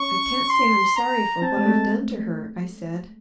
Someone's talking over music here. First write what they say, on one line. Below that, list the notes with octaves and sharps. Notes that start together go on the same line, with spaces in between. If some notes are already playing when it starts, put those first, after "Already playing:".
"I can't say I'm sorry for what I've done to her," I said.
Already playing: C#4 C#6
C6
A#5
C4 A5
G#3
A3